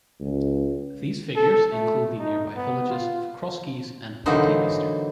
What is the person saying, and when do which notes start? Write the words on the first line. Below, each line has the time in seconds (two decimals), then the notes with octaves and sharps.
These figures include the nearby villages of Crosskeys and Pontymister.
0.20 C#2
1.36 A4
1.72 A3
2.19 D#4
2.56 B3
2.90 F4
4.26 D3 E3 F#3 A#3 D#4 C5